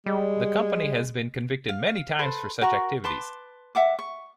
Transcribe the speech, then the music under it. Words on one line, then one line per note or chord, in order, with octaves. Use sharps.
The company has been convicted many times for such activities.
G3 G#3
F5
A4 B4 C5
F#4 A#4 C#6
B4 A5 C6 D6
E5 F#5 D6
C#6